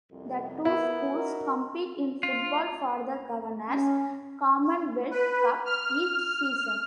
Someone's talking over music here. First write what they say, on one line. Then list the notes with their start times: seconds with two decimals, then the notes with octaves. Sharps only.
The two schools compete in football for the Governor's "Commonwealth Cup" each season.
0.11 C2 F2 C3
0.65 B3 E4 A#4
1.12 D#4 F#4 A#4
2.23 F4
3.67 C#4
5.11 B4
5.65 F6